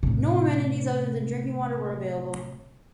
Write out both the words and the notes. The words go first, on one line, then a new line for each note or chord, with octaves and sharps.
No amenities other than drinking water were available.
A2 C3